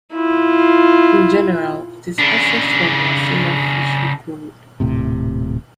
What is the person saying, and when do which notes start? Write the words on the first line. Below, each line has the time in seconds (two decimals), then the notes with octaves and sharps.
In general it is accessed from wasilla fishhook road.
0.13 E4 F4
2.19 C#3 D4
4.80 D#1 A2 C3